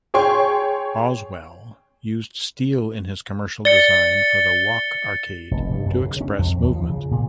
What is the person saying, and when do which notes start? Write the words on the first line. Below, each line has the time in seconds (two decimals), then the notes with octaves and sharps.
Oswell used steel in his commercial design for the Walk Arcade to express movement.
0.14 G#4 C#5 G5 C6 C#6
3.65 D5 A6 C#7 G7
5.51 F1
5.71 G2
5.86 F#2
6.01 C#3
6.21 C#4
6.39 F2
6.63 D#2
6.75 F3
6.90 C#3
7.11 A#2